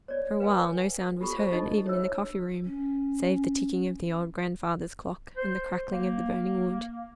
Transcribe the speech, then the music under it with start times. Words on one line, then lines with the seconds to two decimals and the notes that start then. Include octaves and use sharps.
For a while no sound was heard, even in the coffee-room, save the ticking of the old grandfather's clock and the crackling of the burning wood.
0.08 C#5 D5
0.40 B4 F5 G5 G#5
1.21 F4 G4 A4 B5 C#6
1.38 C5 A5 C#6
1.52 D4 D#4 F4 A4 D#5 A5
1.87 C#5 E5 E6
2.65 C#4
5.37 C5
5.91 A#3